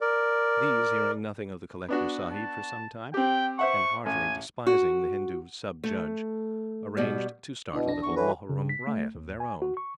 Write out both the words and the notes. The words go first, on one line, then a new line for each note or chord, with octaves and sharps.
These, hearing nothing of the Collector-Sahib for some time, and heartily despising the Hindu Sub-Judge, arranged to start a little Mohurrum riot of their own.
A#4 D5
B3 D4 F#4
A5
C4 G4 G5
C5 E5 F#5 C#6
A1 G#5
F#4
A3
B2 G3
B2 D4 E4
B1 D4 A#6
E2 C#6
E3 F#4 A4 B4 C#5
C#3
B6
A3
D#2
G#5
F#4
C#6